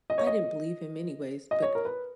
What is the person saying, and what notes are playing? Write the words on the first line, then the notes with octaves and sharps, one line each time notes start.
"I didn't believe him anyways, but
D#5
C#5
D#5
D#5
C#5
A#4
B4